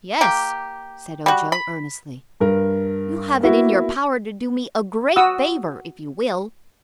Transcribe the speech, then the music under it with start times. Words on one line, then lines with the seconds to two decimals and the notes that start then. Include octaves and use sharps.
"Yes," said Ojo earnestly, "you have it in your power to do me a great favor, if you will."
0.21 A#3 G4
1.26 G3 F#4
1.52 B5
2.40 G2 A#4
3.41 A#3 B3 E4 F#4
5.16 F#4 F#5 D#6 E6